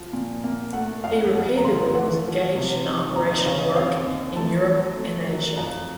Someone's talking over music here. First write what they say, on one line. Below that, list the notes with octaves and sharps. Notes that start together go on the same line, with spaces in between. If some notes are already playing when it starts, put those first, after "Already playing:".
He repeatedly was engaged in operational work in Europe and Asia.
Already playing: F3
A#2
A#3
A3 F#5
F2 F5
F2 F#5
A#5
C#3 C6
A3 F#5
F3
C3
D#4
D#2 A#5
D#5
C#3 C#5
D#5
C4 F5
D#2
A3 A5
F#3
A3
F#3
F2 A#5